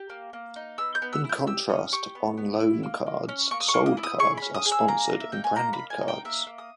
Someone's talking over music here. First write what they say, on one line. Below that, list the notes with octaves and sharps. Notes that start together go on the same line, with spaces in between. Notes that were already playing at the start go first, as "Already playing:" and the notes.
In contrast to On-Loan cards, Sold cards are sponsored and branded cards.
Already playing: G4
A#3
A#3
D#4
B3 E6
G6
B3
E6
E4 G6
G4 E6
C#4 D#6
G4 C#6
B3
B3
E4
A#3
A#3
C#4
A#3 C#6
D#6
C#6
A#3
D#6
E4
D#6
G#4 C#6
C#4 B5
D#6
G#4
E6
A#3 A#5
A#3
E5
D#4 G5
G#5
A#3 A#5
B5
A#3
G#5
D#4
G5
A#3 E5
A#3
D#6